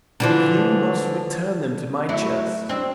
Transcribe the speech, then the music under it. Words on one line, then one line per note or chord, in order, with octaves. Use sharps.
"You must return them to my chest."
D3 E3 F3
F#3 A3 E4
C4 D4